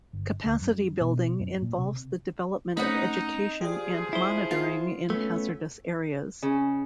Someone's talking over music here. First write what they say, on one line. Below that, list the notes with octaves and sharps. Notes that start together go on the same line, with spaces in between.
Capacity building involves the development of education and monitoring in hazardous areas.
G1
D2
F#2
B2
F#2
A#2
C3
A3 C4 C#4 D#4 D#5 F#5 B5
F3 G4 G#4 D5
E4 C5
F4 F5 F#5
A3 B3 C#4
C#3